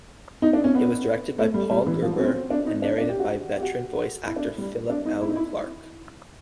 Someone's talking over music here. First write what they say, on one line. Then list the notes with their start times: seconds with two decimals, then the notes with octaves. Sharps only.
It was directed by Paul Gerber and narrated by veteran voice-actor Philip L. Clarke.
0.42 D#4
0.53 D4
0.64 C#4
0.74 B3
1.38 A3
1.54 G3
1.71 G3
1.86 E3
2.02 F3
2.13 F#3
2.19 C#4
2.24 C4
2.34 C4
2.50 D4
2.66 D#4
2.82 D4
2.98 D4
3.09 G4
3.19 F#4
3.58 G4
3.62 F#4
4.26 E4
4.36 D4
4.58 G3
4.90 D4
5.05 D#4
5.21 E4
5.29 D#4
5.36 E4